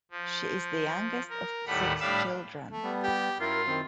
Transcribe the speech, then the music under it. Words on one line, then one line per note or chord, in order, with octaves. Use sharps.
She is the youngest of six children.
F3
A#4
D#2 A2 G3 A3 F#5 B5
A2 G3 D4 F5 B5 E6
A3
G3 B3
G4
F#2 E4 F4 A#4
D#3 C4